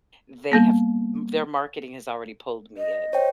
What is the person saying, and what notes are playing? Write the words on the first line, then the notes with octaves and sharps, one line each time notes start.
they have m their marketing has already pulled me in.
G3 A#3 B3
D#5
C5 C#5 G5